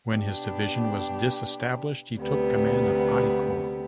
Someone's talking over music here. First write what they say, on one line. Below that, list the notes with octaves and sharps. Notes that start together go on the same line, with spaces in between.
When his division was disestablished, he took command of I Corps.
B2 B3 D4 G4
D2 C3 G3 B3